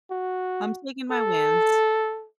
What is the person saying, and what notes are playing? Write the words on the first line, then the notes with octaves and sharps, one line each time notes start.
I'm taking my wins.
F#4
A4